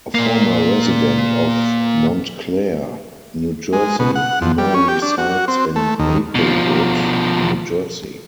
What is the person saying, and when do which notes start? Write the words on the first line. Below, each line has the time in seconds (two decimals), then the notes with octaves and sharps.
A former resident of Montclair, New Jersey, he now resides in Maplewood, New Jersey.
0.15 A#2 A#3
3.73 G#3
3.99 B2
4.15 F#5
4.42 F2
4.58 G3
4.74 C#4
4.88 G4
5.02 D4
5.18 F#4
5.48 C4
5.76 A3
5.99 D#2
6.35 B2 F3